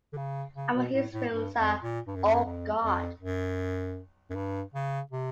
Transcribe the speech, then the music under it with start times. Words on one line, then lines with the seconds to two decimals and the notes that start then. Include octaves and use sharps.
Among his films are Oh, God!
0.13 D3
0.17 C#3
0.56 C#3
0.75 B2
0.93 A2
1.12 A2
1.31 G2
1.56 F2
1.82 A#2
2.07 G2
2.16 F#2
2.24 F2
2.32 F#2
2.45 F2
2.83 F2
3.21 F#2
4.30 F#2
4.35 G2
4.74 C#3
5.11 C3